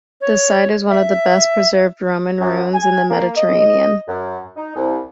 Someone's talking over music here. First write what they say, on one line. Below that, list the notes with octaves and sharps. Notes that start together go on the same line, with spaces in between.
The site is one of best preserved Roman ruins in the Mediterranean.
C#5
E5
F#2
G#5
A#3
D#5
F#2
D#4
C2